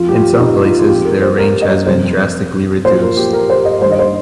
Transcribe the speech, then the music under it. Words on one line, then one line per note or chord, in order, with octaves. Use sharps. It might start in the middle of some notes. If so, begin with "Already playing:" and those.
In some places their range has been drastically reduced.
Already playing: F2 F3 F4
G4
F4
D#4
F4
F4
F2 F3 G4
A#4
C5
A#4
D#5
F2 C3 G3 C5
A#2 F3 C5
A#4
G4
A#4
C5
D#5
G2 D#3 G3 C5
D#5
C5